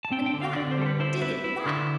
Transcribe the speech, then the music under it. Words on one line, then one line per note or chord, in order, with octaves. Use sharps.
And THAT did it--that!
A5
C4 G5
G5
D3
F5
D3 D5
C5
G3 A4
B4
E4 C5
E4 B4
E4
D3